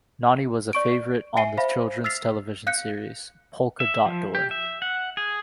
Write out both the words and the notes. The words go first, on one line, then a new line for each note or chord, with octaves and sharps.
Nonnie was a favorite on the children's television series, Polka Dot Door.
D5 C#6 D7
E5 G#5 C7 D#7 G7
C5 E5 F5 B5
E6 F6 A6 B6 C7 F7
F5 F#6 G6 C#7
E5
F3
G4
E5
F#5
G#4